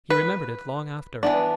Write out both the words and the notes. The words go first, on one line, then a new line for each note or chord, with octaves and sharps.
He remembered it long after.
B4
E3 B3 D4